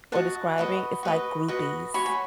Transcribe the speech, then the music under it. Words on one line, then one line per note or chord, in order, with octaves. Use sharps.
or describing, it's like groupies.
F#4 B4 D#5 F#5 A5
F#4 B4 D#5
F#4 B4 D#5
F#4 B4 D#5
F#4 C#5 G#5 B5
B5